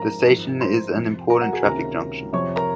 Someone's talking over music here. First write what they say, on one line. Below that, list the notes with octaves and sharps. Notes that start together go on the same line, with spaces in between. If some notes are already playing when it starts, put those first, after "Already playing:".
The station is an important traffic junction.
Already playing: G#2 F3 G#3 C#4 A#4 A#5
G#1 G#2 F3
C5 C6
F2 C3 F3
A#4 A#5
F#4 F#5
G#4 G#5
C#2 C3 D#3 A#3 C#4 A#4 A#5
F2 C3 F3 C#5 C#6
A#4 A#5